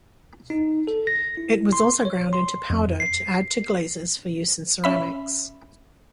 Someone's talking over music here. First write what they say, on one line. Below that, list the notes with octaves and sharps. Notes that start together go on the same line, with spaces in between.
It was also ground into powder to add to glazes for use in ceramics.
D#4
A4
A#6
E4
C6
C#5
C6
F2
C7
C#4 E5 B5